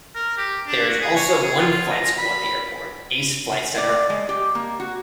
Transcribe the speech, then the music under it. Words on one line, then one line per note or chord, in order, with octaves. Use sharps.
There is also one flight school at the airport, Ace Flight Center.
A#4
G4
D4
F#4
G#4
C#5
G#4
F4
A#5
B5
D5
G#3
G4
A#3
F#4